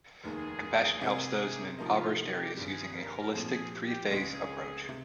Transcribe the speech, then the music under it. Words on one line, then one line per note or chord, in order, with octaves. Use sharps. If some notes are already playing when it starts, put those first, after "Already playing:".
Compassion helps those in impoverished areas using a holistic three-phase approach.
F1 D#2 D#3 A#3 G#4
C3 G3 C4 G4 A#4
C3 F3 A#3 D#4 F4
G4
G#1 G2 G3 G#4
A#4
A#2 F3 C4 G#4
G4
C#2 C#3 G#3 G#4
C3